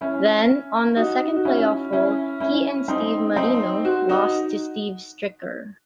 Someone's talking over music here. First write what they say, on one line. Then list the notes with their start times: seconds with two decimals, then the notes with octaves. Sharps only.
Then, on the second playoff hole, he and Steve Marino lost to Steve Stricker.
0.01 C#4 E4
0.96 D#4 F#4
1.36 F#4
1.45 C#4 E4
1.93 C#4 E4
2.40 C#4 E4
2.88 C4 D#4
3.36 C4 D#4
3.85 F#4
4.09 D#4 F#4